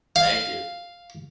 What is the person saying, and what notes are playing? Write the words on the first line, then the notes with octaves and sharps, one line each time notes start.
Thank you.
F5